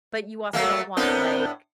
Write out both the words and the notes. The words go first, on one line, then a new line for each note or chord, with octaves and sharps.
But you also don't want, like
F#3 A3 A#3
A2 B3 C4 D4 A#4 G6